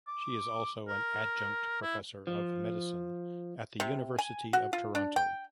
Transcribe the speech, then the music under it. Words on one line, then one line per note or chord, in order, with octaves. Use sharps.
She is also an Adjunct Professor of Medicine at the University of Toronto.
D6
A#4
E4
F3
C3
G#5
F#4
F4
D4
G5